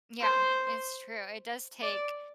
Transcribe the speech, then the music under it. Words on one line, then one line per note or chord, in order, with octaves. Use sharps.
Yeah, it's true. It does take
C5
D5